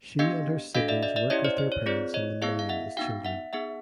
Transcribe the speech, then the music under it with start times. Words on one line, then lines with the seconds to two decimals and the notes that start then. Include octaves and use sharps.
She and her siblings worked with their parents in the mine as children.
0.19 B3 D4 G4 D#5 F5
0.75 D4 F#4 A4 D#5 F5
0.88 D5 E5
1.03 D5 E5
1.16 D5 E5
1.30 C#4 E4 G4 C#5 D#5
1.44 C5 D5
1.58 C5
1.72 C#5
1.86 C4 F4 G#4 C5 D5
2.14 C#5 D#5
2.42 B3 E4 G#4 D#5 F5
2.59 F5
2.69 E5 F#5
2.97 B3 D#4 F#4 F5 G5
3.25 E5 F#5
3.53 B3 D#4 G#4 E5 F#5